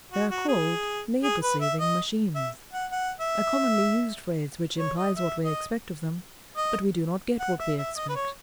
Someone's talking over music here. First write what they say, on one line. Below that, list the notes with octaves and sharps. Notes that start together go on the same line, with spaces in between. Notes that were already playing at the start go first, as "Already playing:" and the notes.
They are called "labour-saving" machines--a commonly used phrase which implies what we expect of them; but we do not get what we expect.
F#4
F#4
G#4
G#4
B4
E5
D#5
E5
F#5
F#5
E5
C#5
D#5
E5
D#5
D#5
F#5
E5
E5
D#5
B4
C#5